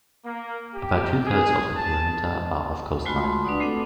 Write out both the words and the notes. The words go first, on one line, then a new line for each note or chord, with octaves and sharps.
About two thirds of the perimeter are of coastline.
A#3
G4
G#4
A5
G#3 A3 F4 F#4 B5 C6
D4 B4 D5 F#5 D#6
A3 C4 A4 F#5 D6